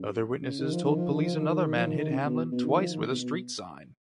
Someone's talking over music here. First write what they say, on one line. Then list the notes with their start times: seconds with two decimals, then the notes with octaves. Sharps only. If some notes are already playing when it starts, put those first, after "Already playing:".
Other witnesses told police another man hit Hamlin twice with a street sign.
Already playing: F#2
0.42 C#3
0.60 D#3
0.72 F3
0.85 D#3
0.97 F3
1.10 D#3
1.22 F3
1.34 D#3
1.76 F3
1.85 D#3
1.98 D#3
2.12 C#3
2.25 B2
2.51 B2
2.65 D#3
2.79 F3
2.92 D#3
3.05 B2
3.18 B2